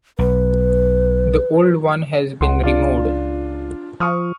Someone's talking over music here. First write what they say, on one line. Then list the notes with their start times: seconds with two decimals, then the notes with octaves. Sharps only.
The old one has been removed.
0.19 B1 B4
2.41 C#2 F#5 C6
2.63 D4 F4
4.00 F3 C#6 D#6 F6